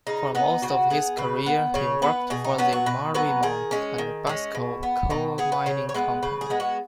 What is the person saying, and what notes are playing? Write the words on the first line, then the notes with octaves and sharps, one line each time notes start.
For most of his career he worked for the Mariemont and Bascoup coal-mining company.
C#3 D#4
B3 D#4
C#3 F#4
B3 G#4
C#3 B4
B3
C#3 C#5
B3 B4
B2 G#4
D#4
F#3 B3 C#4
F#4
B2 B4
F#3 B3 B4
D#3 G#4
G#3 C#4
D#3
G#3 C#4
B2
B3
B2 D#4
B3 G#4
B4
C#3 C#5
C#5
G#3 B3 B4
C#3 B4
G#4
G#3 B3
F#4